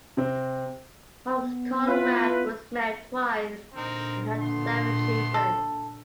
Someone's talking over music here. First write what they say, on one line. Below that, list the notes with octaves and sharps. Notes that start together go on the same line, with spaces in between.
Holmes Conrad was married twice and had seven children.
C3 C4
B3
E4 F4 B4
A#2 D3 C4 D#4 A#4
A3 B3 C6
A4